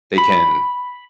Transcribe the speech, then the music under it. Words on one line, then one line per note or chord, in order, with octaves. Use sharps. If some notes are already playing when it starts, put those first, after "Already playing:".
they can
B5